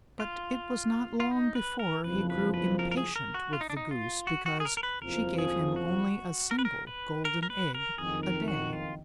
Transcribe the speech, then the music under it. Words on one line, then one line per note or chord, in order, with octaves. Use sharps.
But it was not long before he grew impatient with the Goose because she gave him only a single golden egg a day.
F4
F4
D#4
B4
A#4
F#1 F2 F3 B4
B4
B4
A#4
A#4
G#4
A#4
F#4
F4
D#4
D4
D#4
F4
F#4
F#4
G#4
A#4
A#4
B4
F#1 F2 F3 A#4
G#4
F#4
A#4
B4
A#4
B4
A#4
A#4
B4
A#4
F#1 F2 D#3 G#4
A#4
F#4
F4